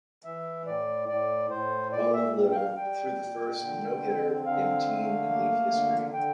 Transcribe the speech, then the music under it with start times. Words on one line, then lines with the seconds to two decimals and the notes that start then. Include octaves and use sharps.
Olive Little threw the first no-hitter in team and league history.
0.25 E3 E5
0.66 A2 D5
1.08 A2 D5
1.50 A2 C5
1.92 A#2 D5
2.13 E5
2.35 G3
2.51 G5
2.55 F5
2.76 G3 G5
3.19 A#2
3.61 D3
4.04 C4
4.45 D3 F5
4.87 A3
5.29 A#3
5.72 D3
6.13 D3 G5